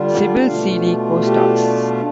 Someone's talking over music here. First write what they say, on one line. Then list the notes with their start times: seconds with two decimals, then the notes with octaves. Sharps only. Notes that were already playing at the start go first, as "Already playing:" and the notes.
Sybil Seely co-stars.
Already playing: D3 G3 D4 F4
0.09 D5
0.29 D5
0.47 B2 A3 D4 F4 F5
1.25 G4